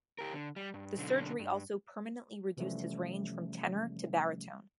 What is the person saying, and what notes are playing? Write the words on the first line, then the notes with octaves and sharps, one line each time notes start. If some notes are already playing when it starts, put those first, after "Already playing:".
The surgery also permanently reduced his range from tenor to baritone.
G4 A#4
D3
G3
G2
B1 D3
G2
C3 E3 F3 G3 A3 C#4